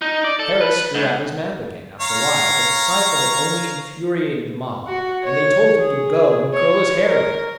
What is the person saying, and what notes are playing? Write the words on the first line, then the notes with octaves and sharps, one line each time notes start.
Harris drew out his map again, after a while, but the sight of it only infuriated the mob, and they told him to go and curl his hair with it.
D#4
D5
A4
B4
G#2
C#5 F5 A#5
F#4
C#5
G#4
C#5
A#4